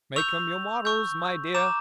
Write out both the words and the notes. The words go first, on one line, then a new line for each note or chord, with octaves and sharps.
Make 'em your models, my dear.
C#6 E6 G6 F7
C#6 E6 G6
A#5 D6 G6 E7